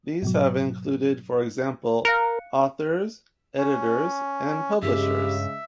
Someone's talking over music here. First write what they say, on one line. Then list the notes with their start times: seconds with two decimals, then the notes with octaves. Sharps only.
These have included, for example, authors, editors, and publishers.
0.22 G#2 B2 F#3
2.05 A#4 F5 F#6 C#7
3.58 C#4
4.82 G2 C#3 G#3 G4 E5